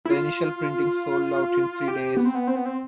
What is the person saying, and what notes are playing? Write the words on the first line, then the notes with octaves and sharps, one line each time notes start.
The initial printing sold out in three days.
E4
F4
G4
B3
C4
B3
C4
B3
C4